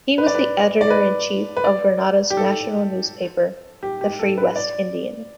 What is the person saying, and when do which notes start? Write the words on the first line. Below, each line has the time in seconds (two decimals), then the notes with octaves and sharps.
He was the Editor in Chief of Grenada's national newspaper "The Free West Indian".
0.18 B4
0.26 D5
0.35 B4
0.81 D5
0.90 B4
1.57 B4
1.64 D5
2.30 G4
2.37 A4
3.83 G4
4.01 G4
4.19 A4
4.38 B4
4.56 D5